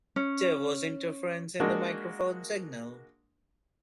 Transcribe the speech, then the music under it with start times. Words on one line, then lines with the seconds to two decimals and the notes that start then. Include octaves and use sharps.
There was interference in the microphone signal.
0.16 C#4
1.60 G#3 A#3 D4 F#4